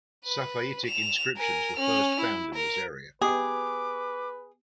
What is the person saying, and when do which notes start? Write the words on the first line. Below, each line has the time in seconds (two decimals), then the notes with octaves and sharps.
Safaitic inscriptions were first found in this area.
0.25 B4
0.85 E7 F7
1.37 A#4 G#5
1.76 C#4 F6
2.20 E4
2.54 A#4
3.22 B3 G4 G#4 B4 D#5 D6